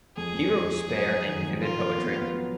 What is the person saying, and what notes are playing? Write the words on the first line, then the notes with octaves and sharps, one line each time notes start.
He wrote spare and vivid poetry.
F2 G#4
F2
F2
F2
F#3
F#3
D#3
F2
F4 A#4
A#4
B3
B3
F#3